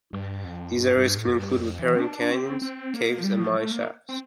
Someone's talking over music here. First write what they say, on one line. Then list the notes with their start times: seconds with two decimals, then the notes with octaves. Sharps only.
These areas can include riparian canyons, caves, and mine shafts.
0.13 G2
0.45 F2
0.76 G2
0.97 G2
1.17 A2
1.27 F2
1.37 G2
1.58 F2
1.79 E3
1.96 C4
2.00 D4
2.32 C4
2.62 C4
2.94 A#3
3.18 F3
3.24 G3
3.40 F3
3.56 A3
3.71 A#3
4.09 C4